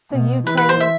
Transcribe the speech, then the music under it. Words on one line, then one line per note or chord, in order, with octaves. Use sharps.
So, you train
B2
E3 B4
B4
C5
E5